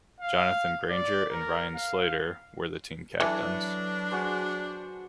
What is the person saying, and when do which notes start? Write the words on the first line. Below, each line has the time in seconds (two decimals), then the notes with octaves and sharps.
Jonathan Grainger and Ryan Slater were the team captains.
0.21 F5
0.89 D5
1.31 A#4
1.75 F5
3.20 E3 F#3 D4 A4 B4
4.12 F#4 G#4 C5